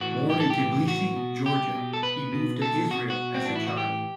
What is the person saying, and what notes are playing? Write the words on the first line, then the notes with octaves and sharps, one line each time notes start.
Born in Tbilisi, Georgia, he moved to Israel as a child.
A2 E3 F#4
G4
A4
G4
A2 E3
F#4
B2
G4
B2
A4
B4
B2
A4
B2 F#4
F#4
C4
A2 E3 D4
E4
F#4
G4